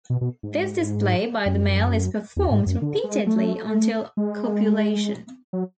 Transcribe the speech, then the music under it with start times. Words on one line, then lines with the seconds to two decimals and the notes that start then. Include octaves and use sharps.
This display by the male is performed repeatedly until copulation.
0.10 B2
0.21 B2
0.43 G#2
1.46 F#2
2.36 E2
2.51 G#2
2.66 F#2
2.82 D3
3.04 G#3
3.27 A3
4.17 G#3
5.53 F#3